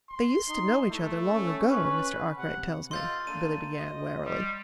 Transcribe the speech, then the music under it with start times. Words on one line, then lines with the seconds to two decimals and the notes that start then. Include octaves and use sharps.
"They used to know each other long ago, Mr. Arkwright tells me," Billy began warily.
0.10 C6
0.48 D#4
0.90 A3 E4
1.31 C#4
1.68 C#4 B4
2.37 C3 F#5
2.91 F4 A4 D#5 C6 G6 A6
3.27 A3 A#3 D4 D#7
3.78 D#5
4.25 G3